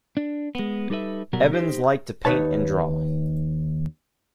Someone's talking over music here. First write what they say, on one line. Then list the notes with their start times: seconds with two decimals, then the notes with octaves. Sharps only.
Evans liked to paint and draw.
0.17 D4
0.55 G#3 B3
0.90 G3 D#4 A4 B4 E5
1.33 B1 B2 F#3 G3 A#4 F#5
1.52 D#4 G4 C5
2.25 D#2 D#4 B4 C#5 A5